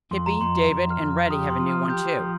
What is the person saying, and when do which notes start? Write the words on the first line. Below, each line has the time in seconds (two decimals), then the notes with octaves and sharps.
Hippy, David and Reddy have a new one, too.
0.11 F2 C6
0.26 A#5
0.41 F2 C6
0.55 A#5
0.71 F2 C6
0.90 F6
1.00 F2
1.11 F6
1.30 G4 D#6
1.50 C6
1.59 F3
1.69 F6
1.90 G4 G6
2.19 F3